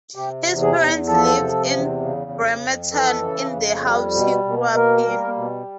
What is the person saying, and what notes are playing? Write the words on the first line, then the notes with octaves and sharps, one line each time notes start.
His parents live in Bremerton in the house he grew up in.
C3 G4
E2
G#4
E2
F3 A4
C3
E2
C#3
F2
F2
E3 A4
C#3
F2
G3
B2
B2
A#3 A#4
G3
B2